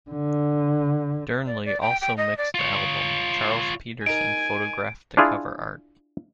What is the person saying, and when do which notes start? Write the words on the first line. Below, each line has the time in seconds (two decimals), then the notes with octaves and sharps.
Dearnley also mixed the album, Charles Peterson photographed the cover art.
0.11 D3
1.46 D5
1.65 D5
1.81 G5
2.01 G5
2.17 D#5
2.38 D5
2.55 F4 C#5
4.06 D#4 A#4 G#5 D7
5.17 D4 E4 F4 G#4